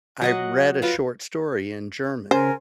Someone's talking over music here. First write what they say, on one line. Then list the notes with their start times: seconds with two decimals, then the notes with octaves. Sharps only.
I read a short story in German,
0.21 F#3 D#5 F#5
0.82 F4 B4 F5
2.31 C#3 A#4 C5 G#5